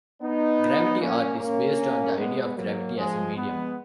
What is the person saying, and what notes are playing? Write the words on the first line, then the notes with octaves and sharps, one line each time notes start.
Gravity Art is based on the idea of gravity as a medium.
B3 D#4
A#3 C#4
A#3 C#4
G#3 B3
F#3 A#3
F3 G#3
G#3 B3